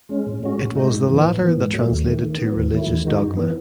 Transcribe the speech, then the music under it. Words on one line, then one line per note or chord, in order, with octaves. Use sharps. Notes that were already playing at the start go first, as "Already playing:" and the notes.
It was the latter that translated to religious dogma.
G#3 C#4
A2
G#3 C#4 F#4
A2
G#3 D#4 F#4
G#2
E3 B3
A2
E3 B3
G#2
F#3 A3
D#2
D#3 A3
D#3
F#3 B3
D#2
D#3 F#3 A3 E4
E2
D#3 G#3 D#4 F#4
F#2
E3 B3